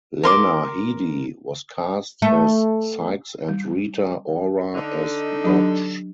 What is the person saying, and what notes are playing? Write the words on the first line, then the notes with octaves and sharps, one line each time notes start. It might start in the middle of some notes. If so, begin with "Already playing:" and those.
Lena Headey was cast as Sikes and Rita Ora as Dodge.
A#4 C6 D6
A3
G3
D3 D#4
F#3 D4 G4